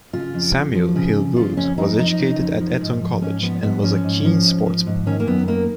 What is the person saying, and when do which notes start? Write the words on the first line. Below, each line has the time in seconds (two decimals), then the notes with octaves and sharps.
Samuel Hill Wood was educated at Eton College and was a keen sportsman.
0.13 C#3 F4
0.34 F2
0.54 F2
0.75 F3
0.95 C#3
1.16 F2
1.36 C#3 F4
1.57 F2 C#4
1.78 F2 D#4
1.98 F3 D#4
2.19 C#3
2.40 F2
2.60 F3
2.81 G#2
3.01 F3
3.21 G#2 C#4
3.42 F3 B3
3.63 G#2 B3
3.83 F3 C#4
4.04 G#2
4.25 F3
4.45 G#2
4.66 F3
4.86 G#2
5.07 D#3 C#4
5.20 A#3
5.27 F#2 B3
5.48 D#3 A#3